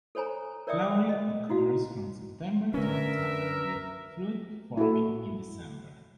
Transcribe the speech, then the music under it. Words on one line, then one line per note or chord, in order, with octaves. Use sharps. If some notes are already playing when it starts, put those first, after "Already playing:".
Flowering occurs from September to October with fruit forming in December.
A4 C5 C#5 G#5 A#5
A#4 C#5 D5 E5 G5 D#6
D#5
D#4 E4 F#4 F5
D3 C#4 A#4 B4 E5
E4 F#4 A4